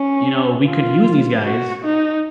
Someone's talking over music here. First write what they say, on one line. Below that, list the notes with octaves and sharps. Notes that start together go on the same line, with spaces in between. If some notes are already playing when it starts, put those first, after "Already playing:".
you know, we could use these guys
Already playing: C#4
F4
F#4
D#4